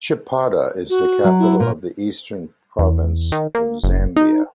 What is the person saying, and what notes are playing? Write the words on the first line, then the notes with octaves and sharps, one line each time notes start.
Chipata is the capital of the Eastern Province of Zambia.
F#4
F#3
E4
A#2 A#4
E2
D#3
A#3
F#1
D#4